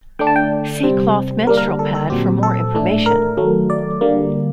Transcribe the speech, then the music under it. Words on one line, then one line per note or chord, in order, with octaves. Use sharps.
See cloth menstrual pad for more information.
D3 A3 D4 G5
A5
G5
C3 G3 C4
D3 G3 A#3 D4 A#4
A#4
A4
A4
A#2 F#3 C4 G4
A4
A2 A3 D4
A#4
D#3 F#3 A3
D5
D3 G3 A#3